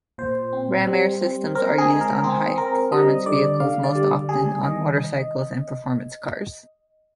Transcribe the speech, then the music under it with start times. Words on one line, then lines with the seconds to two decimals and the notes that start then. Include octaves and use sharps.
Ram-air systems are used on high-performance vehicles, most often on motorcycles and performance cars.
0.18 A#2 C5
0.53 C4
0.87 G3
1.21 C4
1.55 C4 A#4
1.78 G#4
1.89 G#3
2.01 A#4
2.24 C4 G#4
2.58 C4 A#4
2.92 G3 D#5
3.26 D3 D5
3.60 D3 F5
3.83 D5
3.95 G3
4.29 G3 G#4
4.63 D#3 D#5